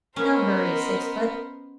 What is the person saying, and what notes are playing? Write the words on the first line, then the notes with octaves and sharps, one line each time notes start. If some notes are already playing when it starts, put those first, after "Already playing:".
No hurry, six-foot.
B3 C#4 A#4 C5 D#5